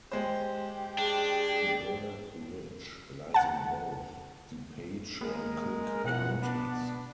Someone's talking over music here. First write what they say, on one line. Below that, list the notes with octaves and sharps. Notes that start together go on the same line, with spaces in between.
Burr Ridge lies in both Du Page and Cook counties.
G#3 G4 C5
D4 G#4
F#5 A5
G#3 A#3 A#4
B2 E3 F3 F#5
B3 D4